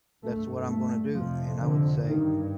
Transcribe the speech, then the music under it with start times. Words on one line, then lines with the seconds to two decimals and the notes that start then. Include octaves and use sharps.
that's what I'm gonna do," and I would say,
0.23 G2 A3
0.69 A3
1.14 F2 C3 F3
1.60 D3
2.06 G2 D#3